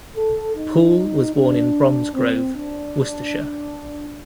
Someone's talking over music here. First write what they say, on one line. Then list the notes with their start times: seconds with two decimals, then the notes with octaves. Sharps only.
Poole was born in Bromsgrove, Worcestershire.
0.16 A4
0.56 D#4
1.35 D4
2.14 C4
2.54 D4